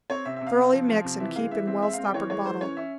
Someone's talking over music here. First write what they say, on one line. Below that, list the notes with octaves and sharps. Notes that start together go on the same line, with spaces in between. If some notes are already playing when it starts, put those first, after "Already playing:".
Thoroughly mix and keep in well stoppered bottle.
C4 C#5
C3 E5
E5
C3
F5
C3
F3
F3
C3
E3 E5
G#3 F5
E3 E5
C4 E5
G#3 E5
F5
C4
G5
E3 C#5
G#3 C#5
E3 C5
C#4 C#5
C#4 E5